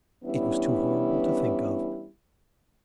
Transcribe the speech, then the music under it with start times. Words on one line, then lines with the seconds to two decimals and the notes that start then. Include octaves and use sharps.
It was too horrible to think of.
0.24 E3 G3 B3 C#4 D4 E4